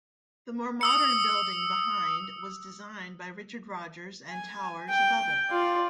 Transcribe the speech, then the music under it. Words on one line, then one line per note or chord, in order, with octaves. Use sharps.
The more modern building behind was designed by Richard Rogers and towers above it.
D#6 E6 C#7
G#5
G5
F4 D5